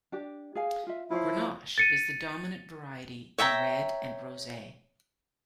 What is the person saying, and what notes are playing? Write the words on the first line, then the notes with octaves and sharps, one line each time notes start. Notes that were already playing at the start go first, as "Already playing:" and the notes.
Grenache is the dominant variety in Red and Rosé.
D4 G4
G#4 F5 G#5
F4 E5
F3 E4 F4 C#5 F5
A6 C#7 D#7
C#5 E5 G5 A#5